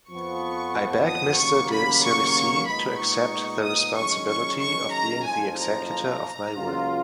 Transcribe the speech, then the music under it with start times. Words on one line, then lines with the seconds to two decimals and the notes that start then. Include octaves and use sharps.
I beg Mr. de Sérisy to accept the responsibility of being the executor of my will.
0.10 F2 F3 B3 C#6
1.07 D#6
1.38 D#2 C#3 F#3 A#3 C#6
1.71 B5
2.04 C#6
2.67 A#2 G#3 B3 D#4 B5
3.00 C#6
3.64 D#6
3.96 F#1 F#2 D#3 G#3 C#4 C#6
4.29 C#6
4.60 C#6
4.93 A#5
5.25 F#1 F2 F3 G#5
5.58 A#5
5.90 A#5
6.54 C#2 C#3 F#3 A#3 F4